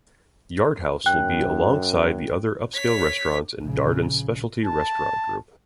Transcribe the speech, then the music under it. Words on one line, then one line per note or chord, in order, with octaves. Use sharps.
Yard House will be alongside the other upscale restaurants in Darden's Specialty Restaurant Group.
F#2 G5 F#6
C#5 B6
A#1 C#3
A5